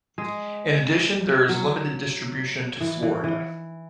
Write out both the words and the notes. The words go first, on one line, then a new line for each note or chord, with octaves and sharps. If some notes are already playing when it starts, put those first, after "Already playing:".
In addition, there is limited distribution to Florida.
G#3
F#3
E3
E3
E3